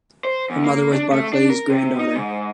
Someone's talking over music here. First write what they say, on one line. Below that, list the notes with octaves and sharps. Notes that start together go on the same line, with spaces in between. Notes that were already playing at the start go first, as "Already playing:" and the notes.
Her mother was Barclay's granddaughter.
C5
E2
A#3
D4
A3
D4
A#4
C3
D#4
G#2